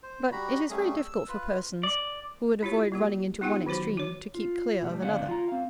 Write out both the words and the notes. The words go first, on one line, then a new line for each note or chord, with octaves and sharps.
But it is very difficult for persons, who would avoid running into one extreme, to keep clear of another.
C5
G3 F#4 A#5 B5
G3 A3 C#4 G#4
E6
F4 B4
D5
E4 F4 G4 C#5
G3 A#3 G4
B3 D#4 F4 G4 F#5 G5
D#3 F#3 F#4 C5 B5
F#4 C#5
F4
B2 F#3 G3 A3
C#2 D3 B3 D5 F5 F#5
F4 A#5
C4 F5